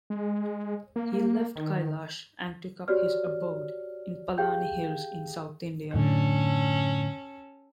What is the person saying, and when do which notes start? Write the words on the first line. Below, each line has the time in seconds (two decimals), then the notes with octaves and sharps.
He left Kailash and took up his abode in Palani hills in South India.
0.10 G#3
0.96 A#3
1.56 D#3
2.88 F#4 G4 C#5 D5 F6
4.38 G4 G#4 F5 G5 G6
5.94 F#2 A2 D3 C#4 A4